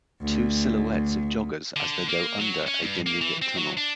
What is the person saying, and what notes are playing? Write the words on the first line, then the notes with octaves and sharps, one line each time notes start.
Two silhouettes of joggers as they go under a dimly lit tunnel.
D2
D3
A#3
F#3
C#4
G2
A#3
E3
C4
F#3
D4